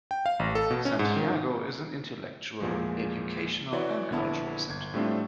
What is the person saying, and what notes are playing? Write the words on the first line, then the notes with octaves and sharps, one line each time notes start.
Santiago is an intellectual, educational, and cultural center.
G5
F5
A1
A4
B2
C#4
G#2
D#3
E2 A#2 F3 G#3
E3 B3 F#4 C#5 D5
A#1 D3 B3 E4 A5
G1 G#6
A2 G3 A3 C4 D4 F4